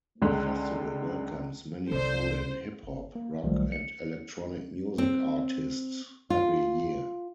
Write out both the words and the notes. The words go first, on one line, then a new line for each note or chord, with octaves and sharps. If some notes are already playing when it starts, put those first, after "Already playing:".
The festival welcomes many foreign hip-hop, rock and electronic music artists every year.
C#2 D3 G#3 C6 F#6
C2 A4 C5 D5
G1
A#3
B1 D#3 F3 G3 A3
C#7
C4
F4